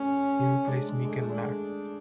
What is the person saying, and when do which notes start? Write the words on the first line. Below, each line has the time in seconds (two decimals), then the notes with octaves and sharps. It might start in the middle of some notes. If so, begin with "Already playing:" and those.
He replaced Mihkel Laar.
Already playing: A3 C#4
0.67 G#3 D4
0.88 G#3
1.04 G#3
1.09 A3
1.22 A3
1.28 G#3 D4